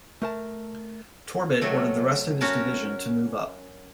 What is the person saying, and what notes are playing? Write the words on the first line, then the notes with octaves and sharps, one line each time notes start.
Torbert ordered the rest of his division to move up.
A3 A#4 A5
C3 F#3 A3
C#4 F#4 A#4 A5